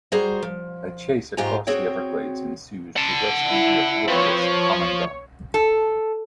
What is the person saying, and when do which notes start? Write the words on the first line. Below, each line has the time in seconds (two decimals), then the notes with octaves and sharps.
A chase across the Everglades ensues to rescue the oblivious Commandant.
0.12 G3 F#4 G#4 C5 A#5
0.42 F3
1.37 G#2 F4 G4 C5 G#5 A#5
1.67 C4 F#4 G#4 C#5 G5
2.97 F#5 A5
3.46 E4
4.08 F3 C4 B4 C#5
4.38 C#5
5.54 A4